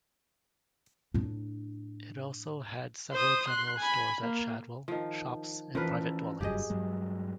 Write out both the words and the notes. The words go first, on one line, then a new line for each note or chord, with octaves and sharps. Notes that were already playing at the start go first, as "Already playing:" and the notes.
It also had several general stores at Shadwell, shops, and private dwellings.
A2 D4
C5 D#6
C6 F#6
G#5 B5
A#3
D#3 F3
E3 F3 C#4 A#4 B4
F#1 G2 F#3 G4 G#4 D#5
G2 F#3 G#3